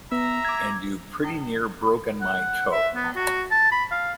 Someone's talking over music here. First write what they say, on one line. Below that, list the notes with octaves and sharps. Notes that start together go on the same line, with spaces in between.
And you've pretty near broken my toe.
B3 E5 A#5
D6 G#6
F#5
E5
B3
F#4
A5
B5
F5